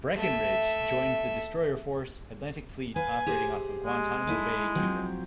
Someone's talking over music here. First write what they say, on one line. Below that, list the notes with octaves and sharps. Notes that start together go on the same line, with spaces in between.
"Breckinridge" joined the Destroyer Force, Atlantic Fleet operating off Guantanamo Bay, Cuba.
A3 E5
B4 F5 G#5
G4 G#4 C5
G#3
D#4 E4 A4
F3 F#3 C4